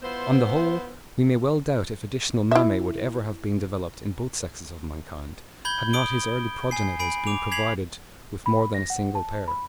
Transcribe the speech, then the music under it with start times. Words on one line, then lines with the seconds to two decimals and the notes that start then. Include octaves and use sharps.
On the whole, we may well doubt if additional mammae would ever have been developed in both sexes of mankind, had not his early progenitors been provided with more than a single pair.
0.03 B3 E4 F4 C5
2.51 E4 E5
5.65 B5 G6 G#6 G7
5.93 B5 D#6 D7 G7
6.71 G#5 C7
6.99 G#5 B5 D7
7.27 D6 F7
7.52 G#6 B6 C7 F7 F#7
8.46 B5
8.74 A#6
8.90 F#5
9.15 A5
9.48 B5